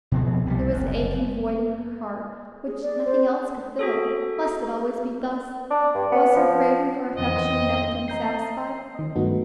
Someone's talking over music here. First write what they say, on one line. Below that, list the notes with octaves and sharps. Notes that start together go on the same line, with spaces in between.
There was an aching void in her heart which nothing else could fill; must it always be thus? was her craving for affection never to be satisfied?
B2 F3 B3 C4
C2 E3 G3
F#1 F#2
G#4
D5
C5
F#4 G#4 A4
D4
G2
B3
F3
F2 D#3 E3 C4 D#5
D#5 A#5 G6 C7
D#3 D#5
G2 D#3 A3 B3 D#4 F#4